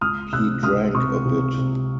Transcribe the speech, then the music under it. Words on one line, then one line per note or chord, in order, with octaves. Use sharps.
He drank a bit.
C#2 D#6 F6
C3 E6 F#6
C#2 D#6 F6
C3 C#6 D#6
C3
C3